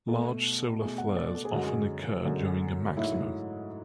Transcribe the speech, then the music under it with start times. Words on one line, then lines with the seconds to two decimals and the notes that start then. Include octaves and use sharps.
Large solar flares often occur during a maximum.
0.08 B2 A3 A4
0.80 B2 A3 G#4
0.98 F#5
1.17 D5
1.35 A4
1.45 G#4
1.52 F#2 D3 G#3 F#4
1.67 G#4
2.25 F#2 D3 G#3
2.97 G#2 F#3 A3 E4